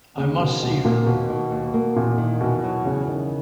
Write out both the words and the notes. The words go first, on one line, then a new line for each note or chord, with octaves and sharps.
I must see her.
D#2 C#3
B2 D#3
D#2 B2
A#2 A#3
D#2 B2
D#3
D#2
A#3
E2 A#2
D#3
E2 B2
F#3
E2 C#3
D#3